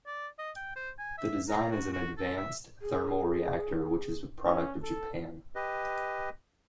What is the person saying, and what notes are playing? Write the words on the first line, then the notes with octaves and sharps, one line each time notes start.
The design is an Advanced Thermal Reactor, which is a product of Japan.
D5
D#5
G5
C5
G#5
E5
A#5
F#4
F#4
A4
E5
G#4
C#4
A4
G4 B4 D#5